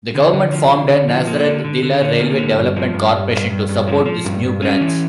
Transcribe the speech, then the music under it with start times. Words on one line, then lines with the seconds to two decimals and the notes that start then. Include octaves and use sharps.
The government formed a Nazareth-Dilla Railway Development Corporation to support this new branch.
0.15 D3
0.33 D3
0.52 F3
0.71 D3
0.89 D3
1.08 F3
1.27 A#3
1.46 D3
1.65 D3
1.83 D3
2.02 D3
2.20 A#3
2.38 D3
2.57 G2
2.76 F3
2.94 G2
3.13 G2
3.31 G2
3.50 G2
3.69 G2
3.88 F3
4.06 F3
4.25 G2
4.43 G2
4.62 C#4
4.81 E3